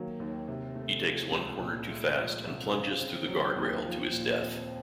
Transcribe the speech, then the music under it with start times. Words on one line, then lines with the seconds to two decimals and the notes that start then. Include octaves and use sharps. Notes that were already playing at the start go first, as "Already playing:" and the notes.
He takes one corner too fast and plunges through the guardrail to his death.
Already playing: D#3 F#3 A#3
0.20 D#2
0.48 C3
0.75 A3
1.04 F3
1.32 C#2
1.60 A#2
1.88 A3
2.16 F3
2.44 C2
2.72 C#3
3.00 C4
3.28 F#3
3.56 D#2
3.85 F3
4.12 A#2
4.40 C4